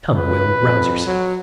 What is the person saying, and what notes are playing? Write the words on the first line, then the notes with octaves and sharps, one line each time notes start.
Come, Will, rouse yourself.
C#2 B4
F2
F#3